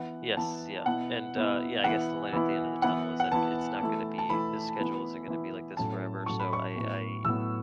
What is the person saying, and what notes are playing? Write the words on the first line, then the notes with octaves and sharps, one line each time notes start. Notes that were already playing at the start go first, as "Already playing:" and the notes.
Yes, yeah, and, uh yeah, I guess the light at the end of the tunnel is that it's not gonna be this schedule isn't gonna be like this forever, so, I I
Already playing: E3 B3 E4 F#5
E3 B3 E4 A5
B2 B3 E4 F#5
B2 B3 E4
E3 B3 E4 F#5
E3 B3 E4
E3 B3 E4 F#5
F#5
E3 B3 E4 A5
E3 A3 E4
A5
E3 A3 E4 B5
E3 B3 E4
E3 B3 E4
A2 F#3 A3 C#4 E4 A5
A2 F#3 A3 C#4 E4 C#6
B5
C#6
A2 F#3 B3
A2 F#3 B3 E6